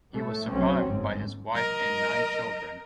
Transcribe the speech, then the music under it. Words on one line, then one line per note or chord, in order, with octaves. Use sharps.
He was survived by his wife and nine children.
A2 A3
B1 F#3 C4 C#4
G1 G#2
A#4 D#5